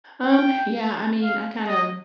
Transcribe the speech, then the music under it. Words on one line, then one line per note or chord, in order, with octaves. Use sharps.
Um, yeah, I mean, I kinda
G5
F5
D#5